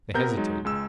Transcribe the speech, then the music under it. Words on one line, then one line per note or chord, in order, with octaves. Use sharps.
They hesitated.
C3 B3 A#4 A#5 G6
F#3 G#3 D#4
C#2 G#3 E6